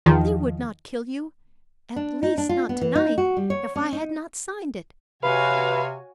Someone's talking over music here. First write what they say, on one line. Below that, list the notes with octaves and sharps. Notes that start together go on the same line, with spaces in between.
They would not kill you; at least, not tonight, if I had not signed it.
E2 D#3 F3
D4
D#4
D4
F4
B3
E3
D#4
F#4
G3
C#5
C#4
D#4
C3 F#4 B4 C#5 F5 G#5